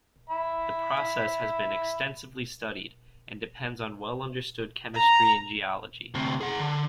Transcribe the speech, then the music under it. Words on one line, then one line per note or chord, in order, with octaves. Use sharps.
The process has been extensively studied and depends on well-understood chemistry and geology.
E5 B5
A#5
D2 C3
G#4 F#5
D3